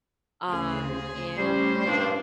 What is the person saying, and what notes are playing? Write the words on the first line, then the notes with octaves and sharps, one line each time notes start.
um, and
D2 C#3 G#4 C5
A2 G3 C#4 C5
G2 A#2 F3 D4